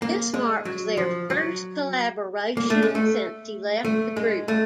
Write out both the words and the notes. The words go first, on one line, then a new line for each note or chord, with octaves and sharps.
This marks their first collaboration since he left the group.
A#3
G#3
F#3
F3
F#3
A#3
A3
G#3
A3
A3
G#3
A3